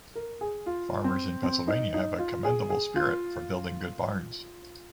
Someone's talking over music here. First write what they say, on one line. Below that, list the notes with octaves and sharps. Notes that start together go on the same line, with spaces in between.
Farmers in Pennsylvania have a commendable spirit for building good barns.
A#4
G#4
F4
C4
C4
D#4
D#4
F4
G#4
G#4
F4